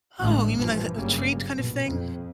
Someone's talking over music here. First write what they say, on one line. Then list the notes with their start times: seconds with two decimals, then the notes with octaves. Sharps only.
Oh, you mean like a a treat kind of thing?
0.20 A1 A2 D3 G#3 A3
0.57 G2 A#2 E3 F3
0.96 G1 F#2 C#3 G3 A#3
1.55 A#1 B2
1.85 F2